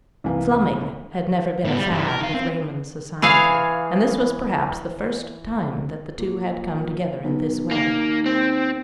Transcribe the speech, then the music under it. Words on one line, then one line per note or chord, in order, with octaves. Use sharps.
"Slumming" had never been a fad with Raymond society, and this was perhaps the first time that the two had come together in this way.
C2 E3 A#3
A2 B3
G3
G2 E3
A#4
D#4 F5
C4
E3 G#4 C#5 F5
A#2
B1
D#2 A#3
C4